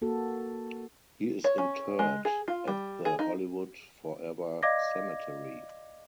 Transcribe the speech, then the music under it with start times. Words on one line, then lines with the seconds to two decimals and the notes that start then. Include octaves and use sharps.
He is interred at the Hollywood Forever Cemetery.
0.02 A#3 F#4 A4
1.44 C#5
1.58 C#4
1.99 G#3
2.25 G#4
2.48 F4
2.68 G3
3.05 G#4
3.19 D#4
4.63 D5 D#5 F5 D6 G#6 A#6